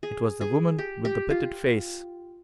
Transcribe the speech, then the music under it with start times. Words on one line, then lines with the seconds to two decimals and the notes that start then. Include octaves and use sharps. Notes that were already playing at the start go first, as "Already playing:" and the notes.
It was the woman with the pitted face.
0.03 G#4
0.41 G#4
0.79 G4
1.05 G4
1.30 F4